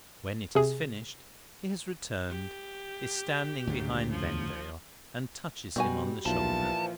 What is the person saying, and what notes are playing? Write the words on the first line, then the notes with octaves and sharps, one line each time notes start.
When it is finished, he has returned, is standing behind Vendale, and touches him on the shoulder.
C3 G#4
G4
D2 G#2 C#3
F3
B2 G3 F#4 G#5
B1 A#2 E3 F3 A5